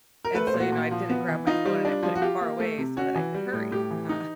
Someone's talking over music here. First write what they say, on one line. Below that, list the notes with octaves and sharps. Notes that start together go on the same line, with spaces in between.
and so, you know, I didn't grab my phone, and I put it far away so that I could hurry, uh,
A#4
A3 B4
C5
A#2
F#4
A#2
F3
B3
E3
D#4 F4
G3
D4
F3
F#4
F4 G4
A#3
A3
C3
C#4 F#4
E3
G3
A2
A2 G4
E3
D#4